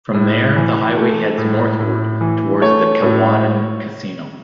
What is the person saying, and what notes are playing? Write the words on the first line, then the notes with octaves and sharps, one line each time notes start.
From there, the highway heads northward towards the Kewadin Casino.
A2
E3
A3
A2
A2
E3
A3 C#5
A2